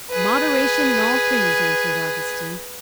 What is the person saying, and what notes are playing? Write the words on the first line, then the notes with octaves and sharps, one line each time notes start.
"Moderation in all things," answered Augustine.
G#4 B4